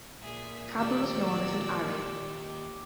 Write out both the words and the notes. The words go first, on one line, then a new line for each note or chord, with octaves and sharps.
Cabel was also known as Ary.
A#2 G#4 E5
D#2 A#3 G4 D5 E6